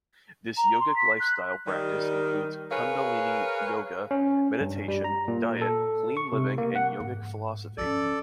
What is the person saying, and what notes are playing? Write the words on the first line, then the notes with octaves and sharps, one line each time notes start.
This yogic lifestyle practice includes Kundalini yoga, meditation, diet, clean living, and yogic philosophy.
A#5
C6
B6
F#6
D#3 G3
G#4 A#4 B4 C#5 F5
C#4
G2
G3
A#5
A#2
A4
C#6
C3
A#3
F#5
G#2
F3 C#4 A4 D5